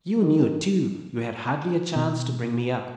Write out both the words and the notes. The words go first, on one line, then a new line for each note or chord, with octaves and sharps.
You knew, too, you had hardly a chance to bring me up.
D#3
B2